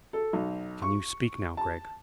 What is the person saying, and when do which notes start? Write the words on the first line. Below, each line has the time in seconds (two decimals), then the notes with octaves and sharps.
"Can you speak now, Gregg?"
0.13 A4
0.33 B1
0.82 C#6
1.57 A5